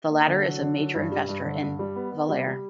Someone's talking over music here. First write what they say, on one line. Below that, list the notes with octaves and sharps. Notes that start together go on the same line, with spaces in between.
The latter is a major investor in Valuair.
A#3
D3
F#3
D3
F#3
G2
G3
G2
D3
G2
G3
B3
B3
G3
G3